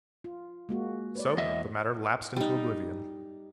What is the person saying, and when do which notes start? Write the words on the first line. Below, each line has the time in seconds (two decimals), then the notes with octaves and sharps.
So the matter lapsed into oblivion.
0.24 F4
0.69 G#3 A#3 F#4
1.15 B4 C#5 D5
1.38 E2 D#5 E5
2.36 G3 D#4